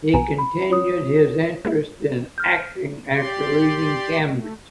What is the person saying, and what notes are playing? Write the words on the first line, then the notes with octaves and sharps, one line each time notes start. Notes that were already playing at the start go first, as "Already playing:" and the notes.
He continued his interest in acting after leaving Cambridge.
B1 B2 B3 G#5 A#5
B5
F4 C#5 D#6
G#3 A#3 E4
F6 G6
G4 D5 C6
A3